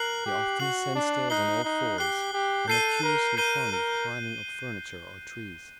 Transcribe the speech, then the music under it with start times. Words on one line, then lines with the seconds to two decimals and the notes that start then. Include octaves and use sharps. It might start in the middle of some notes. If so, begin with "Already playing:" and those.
They often ascend stairs on all-fours; and are curiously fond of climbing up furniture or trees.
Already playing: A#4 F#6 C7 F#7
0.26 G4
0.60 F#4 F#6 C7 F#7
0.95 D4
1.30 D#4 F#6 C7 G7
1.65 D#4
1.98 G4 F#6 C7 G7
2.33 G4
2.68 A4 G6 C7 D#7 G7
3.03 A#4
3.37 A#4 G6 C7 D#7 G7
3.72 A#4